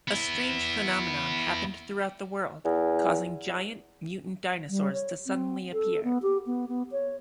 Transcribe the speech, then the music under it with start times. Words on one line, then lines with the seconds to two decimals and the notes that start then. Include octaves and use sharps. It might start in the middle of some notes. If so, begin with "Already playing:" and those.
A strange phenomenon happened throughout the world, causing giant, mutant dinosaurs to suddenly appear.
0.08 B3 E4
2.65 E2
4.70 G3
4.93 C#5
5.26 C4
5.73 A4
6.04 B3
6.22 G4
6.46 B3
6.68 B3
6.92 C#5